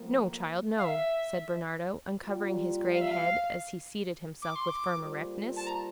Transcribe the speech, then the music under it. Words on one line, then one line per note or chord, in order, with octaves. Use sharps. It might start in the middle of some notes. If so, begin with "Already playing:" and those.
"No, child, no," said Bernardo, uncovering his grey head, as he seated himself with firm erectness.
Already playing: A2 F3 A#3
F5
E5
G3 A#3 F4
F5
E5
F5
D6
C6
D6
G3 A#3 F4 A4 C5
A5
A#5